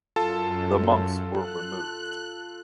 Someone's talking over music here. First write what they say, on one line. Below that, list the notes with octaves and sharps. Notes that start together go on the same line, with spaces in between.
The monks were removed.
F#2 F4 A4 A5
F#6